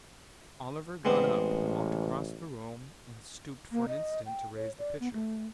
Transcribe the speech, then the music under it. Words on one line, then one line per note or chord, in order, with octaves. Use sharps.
Oliver got up; walked across the room; and stooped for an instant to raise the pitcher.
A1 G#3 B3 C4
A#3
D#5
G5
C#5
D5
B3
A3